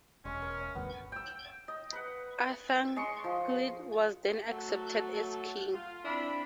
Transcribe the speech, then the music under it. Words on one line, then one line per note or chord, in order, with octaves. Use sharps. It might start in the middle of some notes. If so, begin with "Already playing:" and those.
Athanagild was then accepted as king.
E1 G#3 C#4
A#4
G1 D2 G2 B3
G5 E6
D#5
B4 F#5
G#3 D#5 C6 C#6
F3
F#3 A3 F#4 A4
F4 F5
C4 D4 E4 B5